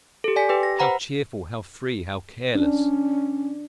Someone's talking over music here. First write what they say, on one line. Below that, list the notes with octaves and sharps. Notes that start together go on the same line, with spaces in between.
How cheerful, how free, how careless!
G4 A4
D5 G#5 B6
G4 B4 G5 D6
A#6
B4 C5 F#5 A#5 B5
C#4 D4